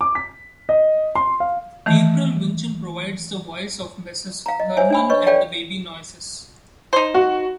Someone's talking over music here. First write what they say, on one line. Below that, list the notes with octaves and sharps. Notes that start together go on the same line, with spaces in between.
April Winchell provides the voice of Mrs. Herman and the "baby noises".
D6
B6
D#5
C6
F5
D#3 E3 A3
F5 A#5
D#5
C5 C#5 E5 G#5
D4 G#5 B5
B4 C#5 D#5 C#6
A4 C#5 D5 F5 G5
D#4 C5
F#4